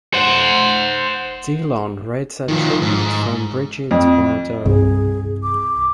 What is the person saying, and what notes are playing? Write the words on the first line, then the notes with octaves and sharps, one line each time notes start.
Delon read a tribute from Brigitte Bardot.
C5 F#5
D#3 F3
G#2
F2
C2 G2 G#4
D6